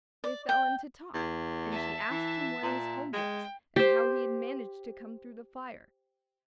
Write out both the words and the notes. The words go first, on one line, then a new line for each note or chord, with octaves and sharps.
They fell into talk, and she asked him where his home was, and how he had managed to come through the fire.
D5
G5
E2
E5 A5
E3
A#2
G#3 G5
G4 C5